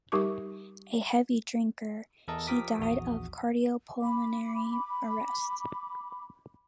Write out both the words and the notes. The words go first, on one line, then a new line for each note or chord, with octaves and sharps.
A heavy drinker, he died of cardiopulmonary arrest.
G3 D#4 G4 A#4 C#6 D6
E2 A4 A#4 D#5 A5
F3 G4 A#4 D6 D#6 B6
A#1 E2 F#4 D#6
B5 D6